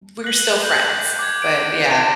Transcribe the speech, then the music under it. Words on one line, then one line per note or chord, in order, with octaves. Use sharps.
we're still friends, but yeah.
F#6 F#7
G6 F#7
D6 G#6
D7
A#6 E7